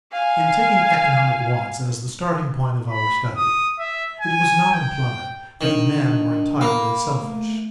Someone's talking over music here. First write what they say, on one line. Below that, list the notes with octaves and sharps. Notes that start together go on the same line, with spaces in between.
In taking economic wants as the starting point of our study, it was not implied that men were entirely selfish.
F5 G#5
B5
D#6
E5
G#5
G5
D#3 D4
A#3 B5
A3